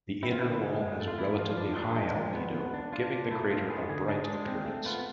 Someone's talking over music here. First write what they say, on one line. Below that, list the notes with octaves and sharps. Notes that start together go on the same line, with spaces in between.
The inner wall has a relatively high albedo, giving the crater a bright appearance.
C4 E4
F4
D3 E4
E4
G#3
G#3
A3
F4
E3 E4
F3 F4
D4
D4
G#3
F3
B3
B3
D4
D4 F4
D4
A3 E4
A3 F4
B3 G#4
D3 G#4
D4 G#4
G#3
C4
A3
B3 F4